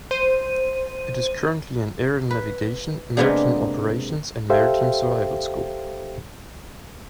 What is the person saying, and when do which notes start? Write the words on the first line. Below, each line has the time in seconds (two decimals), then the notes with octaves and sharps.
It is currently an aerial navigation, maritime operations and maritime survival school.
0.11 C5 D#7
2.31 B4
3.17 C3 G#3 A#3 B3 D4 G#4
4.50 G4 A4 C5 E5 F5 G5